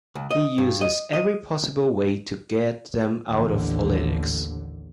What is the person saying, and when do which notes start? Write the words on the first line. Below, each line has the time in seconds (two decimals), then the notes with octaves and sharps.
He uses every possible way to get them out of politics.
0.15 C#2
0.31 D#5
0.58 G2
0.81 D#5
1.13 D#5
3.30 A1 D#2 D3